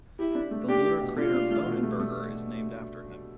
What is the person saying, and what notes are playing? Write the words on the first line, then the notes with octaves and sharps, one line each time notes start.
The lunar crater Bohnenberger is named after him.
E4 G4
D4
A3
D4 G4
G4
B2
D4 F4
D4
A3
B2
A3
A3